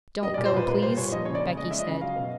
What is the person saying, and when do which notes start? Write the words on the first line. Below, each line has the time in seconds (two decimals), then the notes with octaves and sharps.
'Don't go, please,' Becky said.
0.22 G3 D#5
0.34 D5
0.38 A#2
0.46 C5
0.53 A#2 B4
0.68 A#3 B4
0.82 G3 C5
0.97 A#2 C#5
1.12 F3 D#5
1.25 C#3 C#5
1.35 D5
1.42 C#3
1.56 G#3 D#5
1.71 F3 E5
1.79 D#5
1.87 C#3
2.01 F#3 F5
2.16 B2